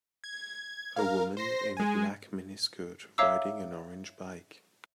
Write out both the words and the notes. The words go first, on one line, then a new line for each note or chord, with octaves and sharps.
A woman in a black miniskirt riding an orange bike.
G#6
A#4 F5
C5 A#6 C7
G#3 G#5
C#5 E5 F5 A#5 D6 E6